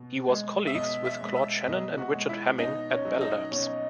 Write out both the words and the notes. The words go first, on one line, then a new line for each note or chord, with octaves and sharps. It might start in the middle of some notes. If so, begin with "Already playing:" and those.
He was colleagues with Claude Shannon and Richard Hamming at Bell Labs.
Already playing: B2
G#3
E5
B2 D#5
E5
G#3
E5
B2 D#5
F#4
G#3
E4
B2 D#4
C#4
F#3
D#4
B2 C#4